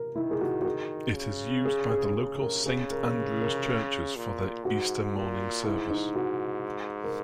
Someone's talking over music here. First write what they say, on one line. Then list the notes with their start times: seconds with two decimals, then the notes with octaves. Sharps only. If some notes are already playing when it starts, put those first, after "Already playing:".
It is used by the local Saint Andrews churches for their Easter morning service.
Already playing: A#4
0.15 D#3 E4
0.31 G#4
0.41 F#4
0.61 F#4
0.66 G#4
1.16 C#3
1.65 G#4
1.90 G#4
2.15 C#3
2.41 A#4
2.65 C#3 G#4
2.91 A#4
3.06 G#4
3.15 A#4
3.41 A#4
3.66 G#4
4.16 A#2
4.65 G#2 F#4
5.16 A#2
5.66 G#2 E4
5.90 D#4
6.15 F#4
7.04 A#4